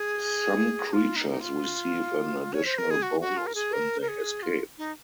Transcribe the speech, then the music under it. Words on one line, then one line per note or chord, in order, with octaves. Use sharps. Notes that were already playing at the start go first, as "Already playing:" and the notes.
Some creatures receive an additional bonus when they escape.
Already playing: G#4
F4
D#4
D#4
F4
C#5
C5
A#4
G#4
F#4
F#4
F4
A#4
G#4
A#4
A#4
G#4
F4
D#4